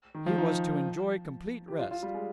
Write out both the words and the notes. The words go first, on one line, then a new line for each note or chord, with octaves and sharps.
He was to enjoy complete rest.
D#3
F3
D#4
G4
F4
F4
G3
G#3